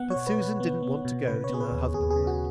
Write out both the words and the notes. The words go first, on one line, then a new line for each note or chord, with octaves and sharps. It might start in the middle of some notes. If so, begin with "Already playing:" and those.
But Susan didn't want to go till her husband went.
Already playing: B3 F#5
C#5
B2
B4
B2
B3
B3
B2
C#3 B4
C#5
B3 G#4
B4
D#2
D#2 G#4
G#4
C#3
F#4